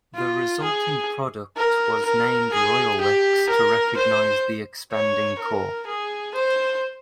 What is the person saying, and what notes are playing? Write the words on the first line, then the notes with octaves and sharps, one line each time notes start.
The resulting product was named Royalex to recognise the expanding core.
F4
G#4
A#4
A#4
G#4
G4
A#4
C5
C#5
A#4
G#4
C5